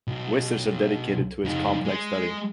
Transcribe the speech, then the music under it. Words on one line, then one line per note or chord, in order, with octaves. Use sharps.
Wizards are dedicated to its complex study.
B1
F2 D#4
G#3